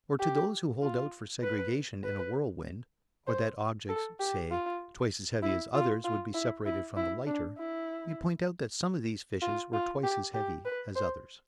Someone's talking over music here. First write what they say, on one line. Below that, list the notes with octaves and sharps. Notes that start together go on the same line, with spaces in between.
Or to those who hold out for segregation in a whirlwind, or that objects, say, twice as heavy as others would be separated from the lighter, we point out that some of these fishes were twice as heavy as others.
G4
F4
B4
B4
C5
A4
G4
F4
E4
F4
F4
E4
E4
E4
D4
E4
F4
F4
G4
G4
B4
C5